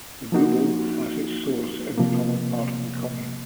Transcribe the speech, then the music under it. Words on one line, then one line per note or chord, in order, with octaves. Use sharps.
The Bouble has its source in the northern part of the commune.
F3 A#3 D#4 F#4
C3 F3 A#3